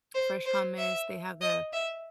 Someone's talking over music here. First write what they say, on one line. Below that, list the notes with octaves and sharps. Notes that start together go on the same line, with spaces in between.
Fresh hummus, they have the
C5
C5
E5
D#5
E5